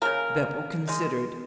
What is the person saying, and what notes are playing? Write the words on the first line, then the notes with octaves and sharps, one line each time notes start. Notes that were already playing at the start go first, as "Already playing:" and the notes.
Beppo considered.
C#3 G3 A#3 A#4
D#3 G#3